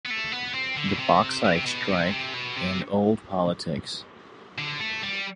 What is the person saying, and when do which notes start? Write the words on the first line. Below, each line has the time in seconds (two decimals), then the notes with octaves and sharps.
"The Bauxite Strike and Old Politics".
0.05 B3
0.10 A3
0.32 B3
0.54 C4
0.77 D3
0.88 B2
0.99 C3
1.45 B2
1.55 C3
1.66 B2
1.89 C3
2.12 C3
2.34 B2
2.57 C3
4.58 D3
4.80 A3
5.03 G3